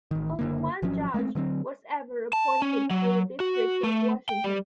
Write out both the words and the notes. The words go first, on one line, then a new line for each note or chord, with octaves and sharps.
Only one judge was ever appointed to the District of Washington.
A1 D#3
F#1 D3 A#3
G#1 F3 F#3 C#4
G#3 A3 B3 C4
D3 F#3 G#3 C4
A5
C#4
F#3
F#4
A3
G5
G3